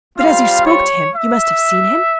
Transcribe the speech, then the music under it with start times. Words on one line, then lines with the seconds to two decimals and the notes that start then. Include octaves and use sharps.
"But as you spoke to him you must have seen him."
0.17 G3 C4 F4 F5
0.65 C#5
1.14 E5